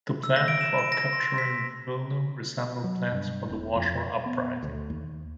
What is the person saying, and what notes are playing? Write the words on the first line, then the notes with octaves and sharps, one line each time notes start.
The plan for capturing Wilno resembled plans for the Warsaw Uprising.
E6
A#6
D7
E7
D7
A#6
C6
B6
F#3
G2
E1
F2
B3
D2
D#2